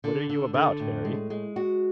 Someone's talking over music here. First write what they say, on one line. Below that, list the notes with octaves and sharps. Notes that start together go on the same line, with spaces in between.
"What are you about, Harry?"
D3
D3
D3
A2
G#3
G#3
F#4